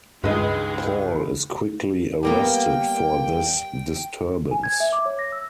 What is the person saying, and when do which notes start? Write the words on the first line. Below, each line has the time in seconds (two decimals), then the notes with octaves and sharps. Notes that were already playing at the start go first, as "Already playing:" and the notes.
Paul is quickly arrested for this disturbance.
0.24 C#2 G2 D#3 G#3 B4 D#5
2.23 G3 A#3 B3 G5
4.51 G#5
4.64 G#6
4.80 E5
4.93 D6
5.06 C#5
5.19 A#6
5.32 E6